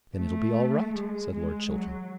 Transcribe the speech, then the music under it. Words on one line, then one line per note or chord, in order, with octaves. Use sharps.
"Then it'll be all right," said Lord Chiltern.
A3
G#3
G#3
F#3